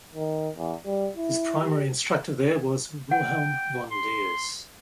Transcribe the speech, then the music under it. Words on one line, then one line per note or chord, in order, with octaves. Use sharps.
His primary instructor there was Wilhelm von Diez.
D#3
E2
G3
E4
G4
F#5 G5
C6